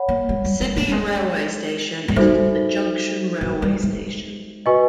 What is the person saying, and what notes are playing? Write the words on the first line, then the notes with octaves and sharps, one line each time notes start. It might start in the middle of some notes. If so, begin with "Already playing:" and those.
Sibi Railway Station is a junction railway station.
Already playing: C#5 F#5 B5
A#3
G#3
G3
A#3
A3
G3
G#3
G#3
G3 D#4 F#4 A4 C5 E5
F#3
G3
G#3
F#4 B4 D#5 G#5 C#6